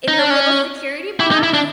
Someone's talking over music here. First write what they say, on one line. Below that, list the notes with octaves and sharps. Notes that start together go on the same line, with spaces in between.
In the little security box?
D#4
D4
C#4
E4
D#4
E4
D4